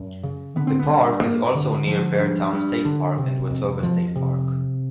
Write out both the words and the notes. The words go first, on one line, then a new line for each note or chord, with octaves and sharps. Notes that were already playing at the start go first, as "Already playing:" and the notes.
The park is also near Beartown State Park and Watoga State Park.
Already playing: F#2
C#3
D3 B3
C4
B3
G2
G2 A#3
D3
D3 F3
G2
G2
D3
C3
F2
F2 F3
C3